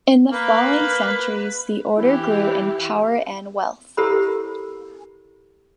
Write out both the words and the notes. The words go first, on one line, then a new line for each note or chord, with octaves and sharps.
In the following centuries the order grew in power and wealth.
A#3 B4
E3 E4 G4
E4 G4 A4 A#4 C5 B5